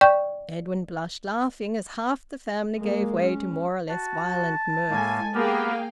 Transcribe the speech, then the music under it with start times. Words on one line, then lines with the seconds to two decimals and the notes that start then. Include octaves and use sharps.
Edwin blushed, laughing, as half the family gave way to more or less violent mirth.
0.01 D5 G5 C#6 G6
2.77 G#3 A#3
3.23 C#4
3.90 F#4 A5
4.90 A2 G#3 A#3 A4 G#5
5.35 A#3 B3 G4 G#4 A#4 F5 G5